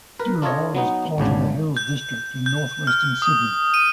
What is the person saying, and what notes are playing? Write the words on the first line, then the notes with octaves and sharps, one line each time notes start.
Dural is part of the Hills District, in North Western Sydney.
A#4 B4
D4 F4 A4 C#5 D#5
F#3 B3 D#4
G#1 D2 C#3 D4
G6
G6
F6
D#6
D#7